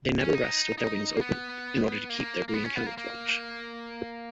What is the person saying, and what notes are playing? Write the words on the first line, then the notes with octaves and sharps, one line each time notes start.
They never rest with their wings open, in order to keep their green camouflage.
C#4
D#4
D#4
A#3
B3
A#3
A#3
B3
C#4
B3
A#3
A#3